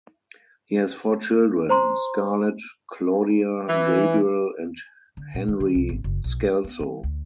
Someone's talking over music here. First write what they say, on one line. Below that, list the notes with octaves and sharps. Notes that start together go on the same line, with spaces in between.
He has four children: Scarlett, Claudia, Gabriel, and Henry Scalzo.
C5 A#5 C6
E3
D3
A#2
D#3
D3
C2
G1
F#1
B1
E4
B3
D#3
D2